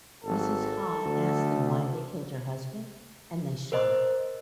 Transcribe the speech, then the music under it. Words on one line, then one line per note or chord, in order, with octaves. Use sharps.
Mrs. Ha asked them why they killed her husband and they shot her.
G#1 A4
D2
A#4 C5 D#5